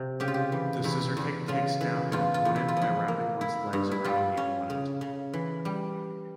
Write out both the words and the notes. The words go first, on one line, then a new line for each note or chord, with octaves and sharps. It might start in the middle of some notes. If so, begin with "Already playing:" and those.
The scissor kick takes down an opponent by wrapping one's legs around the opponent.
Already playing: C3
C#3 G4
F4
G4
E3
E2 E4
E2
C#3 F4
E3
E2 F4
F4
E2
E4
F4
F3 E4
A#3
E4
G2
E4
G3 F4
C#4
C#3
C#3
E3
G3